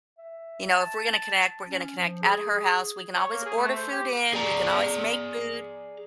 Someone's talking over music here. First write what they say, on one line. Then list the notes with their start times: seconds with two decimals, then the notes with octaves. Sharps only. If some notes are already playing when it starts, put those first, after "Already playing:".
you know, if we're gonna connect we're gonna connect at her house, we can always order food in, we can always make food,
0.18 E5
0.74 A5
1.67 C#4
1.97 F3
2.23 G#4
3.16 C#5
3.32 A#3
3.45 G#4
3.57 A3
3.76 C5
3.91 G4
4.33 G#4 D5 A#5